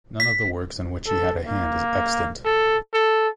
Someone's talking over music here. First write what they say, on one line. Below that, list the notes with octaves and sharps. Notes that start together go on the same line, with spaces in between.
None of the works in which he had a hand is extant.
B6
A4
A#3
A4
A4